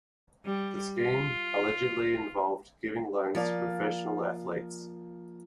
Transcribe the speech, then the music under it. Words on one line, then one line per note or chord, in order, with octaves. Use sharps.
The scheme allegedly involved giving loans to professional athletes.
G3
F4
F3 A#3 D5